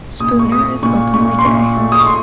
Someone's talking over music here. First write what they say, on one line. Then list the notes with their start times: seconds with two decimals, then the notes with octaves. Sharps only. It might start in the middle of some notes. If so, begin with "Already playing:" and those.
Spooner is openly gay.
0.20 A#2 D#6
0.39 C#6
0.52 A3 D#6
0.82 A#2 C#6
1.14 A#2 C#6
1.39 C6
1.45 A#2 C#6
1.77 A3
1.92 D#6
1.99 C#6
2.06 C6